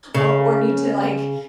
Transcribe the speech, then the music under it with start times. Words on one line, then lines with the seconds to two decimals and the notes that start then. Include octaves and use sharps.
or need to, like,
0.14 C#3